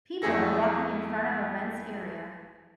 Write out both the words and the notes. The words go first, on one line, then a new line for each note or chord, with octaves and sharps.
People are walking in front of a fenced area.
F2 A3 E4 G#4 A4 A#6